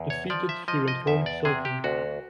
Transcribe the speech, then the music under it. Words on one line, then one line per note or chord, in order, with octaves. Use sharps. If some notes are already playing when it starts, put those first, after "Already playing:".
Defeated, she went home sulking.
Already playing: E2
C#5
F3 D5
E5
F3 D#5
D#5
E2 E5
D5
C3 G#4
G4
D2 F#4